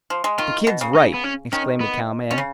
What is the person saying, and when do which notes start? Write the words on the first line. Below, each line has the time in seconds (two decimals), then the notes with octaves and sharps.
"The kid's right," exclaimed a cowman.
0.10 F3
0.24 G#3
0.38 D#3 F4
0.67 B2
0.81 C#3
0.95 D#4
1.14 B3
1.24 C#4
1.53 D#3 C#4
1.80 B3
2.31 B2 C#4
2.38 C#3